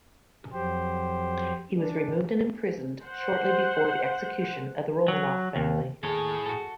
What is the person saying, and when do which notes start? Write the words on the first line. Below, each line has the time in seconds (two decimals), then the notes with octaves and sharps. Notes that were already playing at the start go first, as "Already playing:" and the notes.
He was removed and imprisoned shortly before the Execution of the Romanov family.
0.53 F2 F#3 G4 C5
1.78 D4
3.03 C5 F#5
5.08 F#3
5.56 D#2
6.03 D#2 A2 G#4 A4 C#5
6.46 F#4 A4